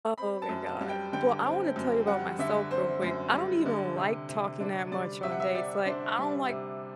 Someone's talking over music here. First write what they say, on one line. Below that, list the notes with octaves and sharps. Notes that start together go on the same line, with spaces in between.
Oh my god. Well, I wanna tell you about myself real quick, I don't even like talking that much on dates, like, I don't like
C4 B5
A5
F#2
A5
G3
G5
D3 G5
C4
F#2
G3 F#5
D3 E5
C4 C5
F#2
G3
D3
C3
C3
D4
G3 D5
C3 E5
F#5
E5
C3 D5
D4 C5
G3
C3